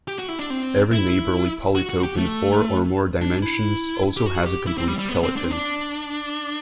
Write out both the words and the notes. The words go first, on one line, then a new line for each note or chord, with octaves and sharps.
Every neighborly polytope in four or more dimensions also has a complete skeleton.
G4
F#4
E4
D4
C4
E4
F#4
F#4
G4
A3
D4
E4
G4
F#4
G4
E4
C4
G3
G3
B3
C4
D4
C4
D4